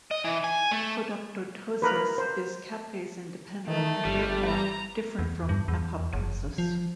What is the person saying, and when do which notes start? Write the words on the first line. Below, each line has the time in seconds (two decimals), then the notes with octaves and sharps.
Podoptosis is caspase-independent and, therefore, different from apoptosis.
0.11 D#5
0.24 E3
0.44 G#5
0.71 A3
1.82 A#4 B4
2.18 C5
3.67 D#3 A3
4.05 G1 G3
4.46 A#5
5.19 E2
5.49 G2
5.68 E2
6.13 F#1
6.58 F3